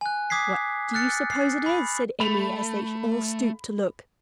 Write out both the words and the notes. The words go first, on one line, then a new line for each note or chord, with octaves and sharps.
"What do you suppose it is?" said Emmy, as they all stooped to look.
G#5 F#6
D6 D#6 G#6 B6 C7
F6 F#6 A6 C#7
C7
B5
A3 B5 F7